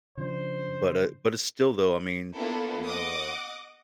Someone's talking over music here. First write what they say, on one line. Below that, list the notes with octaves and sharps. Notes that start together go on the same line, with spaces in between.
But, uh but it's still, though, I mean, you know, uh,
C#3 F3 D4 C5
A#3 B3 D4 E4 F4 A4
D#5 F#5 D6 D#6